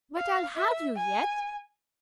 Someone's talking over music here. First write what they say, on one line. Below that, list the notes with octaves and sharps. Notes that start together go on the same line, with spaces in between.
'But I'll have you yet.
F5
E5
G#5